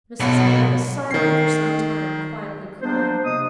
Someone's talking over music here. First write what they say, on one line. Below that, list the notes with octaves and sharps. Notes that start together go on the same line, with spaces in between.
Mrs. Hale was silent for some time, quietly crying.
B1 B2
D#3 C7
A#3 B3 D4 C5
C3 D#5 D#6